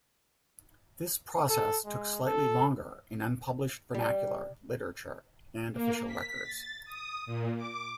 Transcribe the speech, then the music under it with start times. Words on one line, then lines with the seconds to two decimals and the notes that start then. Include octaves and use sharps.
This process took slightly longer in unpublished vernacular literature and official records.
1.49 A4
1.85 G#3
2.26 A4
3.94 G3
5.73 A#3
6.05 B6
6.42 A6
6.85 D#6
7.26 A#2
7.56 D6